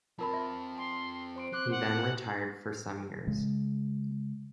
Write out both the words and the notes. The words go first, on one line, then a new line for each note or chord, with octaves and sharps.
He then retired for some years.
F3 C4 F4 A#4 A5 B5
E5
G#5 C6
C5 C6 D7
C4 C5 D6 F#6 D7
F#5
C#3 G#3